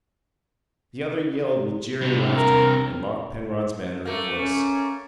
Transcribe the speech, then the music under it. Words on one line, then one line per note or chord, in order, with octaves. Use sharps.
The other yelled with jeering laughter, and mocked Penrod's manner and voice.
G2 C3
A#4
A3 A#3
C#4